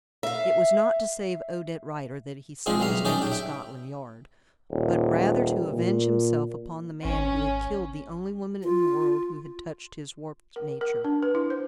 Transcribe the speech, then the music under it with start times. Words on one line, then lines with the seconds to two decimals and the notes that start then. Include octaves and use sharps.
It was not to save Odette Rider that he sent his note to Scotland Yard, but rather to avenge himself upon the man who had killed the only woman in the world who had touched his warped nature.
0.23 E5 F5
2.66 G#3 C4 D4 F4 G#4
2.80 B1 G3 E5 F5 A#5
3.05 C#4 D#4 G4 G#4 E5 A5
3.18 D4 G4
3.31 E5 G5
4.71 D#1
5.73 A#2
7.05 G#1 C#4
8.64 F4
10.56 A#4
10.81 A#4
11.04 D4
11.23 B4
11.35 E4
11.50 C5